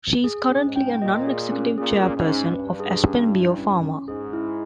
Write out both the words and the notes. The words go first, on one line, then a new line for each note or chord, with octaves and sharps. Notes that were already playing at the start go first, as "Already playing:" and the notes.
She is currently a non-executive chairperson of AspenBio Pharma.
G#4
C#4
G#2
G5
A#2 D#5
G#4
C#4
A#2 G#4
C#4
G#2
C#4
G2 B4
G#4
C#4
E4
C#4
C#4
G#2 G#4
E4